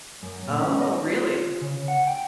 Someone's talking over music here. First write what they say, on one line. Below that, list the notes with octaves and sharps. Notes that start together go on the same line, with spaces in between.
Oh, really?
F#2
A#2
C#4
D#5
F4
C#3
F#5
G5